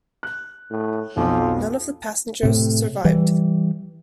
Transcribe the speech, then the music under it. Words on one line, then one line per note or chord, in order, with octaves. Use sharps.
None of the passengers survived.
F#6
A2
B1 F2 F3
A2 C3
E3 G3